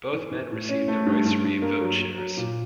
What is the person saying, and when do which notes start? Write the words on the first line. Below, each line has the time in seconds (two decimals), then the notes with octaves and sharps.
Both men received derisory vote shares.
0.13 E3
0.31 E3
0.51 A2
0.69 C#4
0.88 A3
1.06 G2
1.25 G2
1.44 G2
1.62 A#3
1.81 F#3
2.00 F#3
2.18 F#3
2.37 A#2